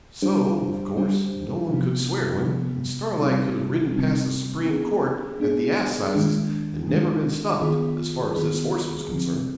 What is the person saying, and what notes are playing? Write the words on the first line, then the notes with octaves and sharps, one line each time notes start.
So, of course, no one could swear to him, and Starlight could have ridden past the Supreme Court, at the assizes, and never been stopped, as far as this horse was concerned.
G3 D4 G4 C5
G3 D4 G4 C5
C3 F3 B3
C3 F3 B3
C3 G3 C4 D#4
C3 G3 C4 D#4
B3 D4 G#4
B3 D4 G#4
D#3 G#3 D4
D#3 G#3 D4
D#3 B3 F4 G#4
D#3 B3 F4 G#4
D3 F3 C4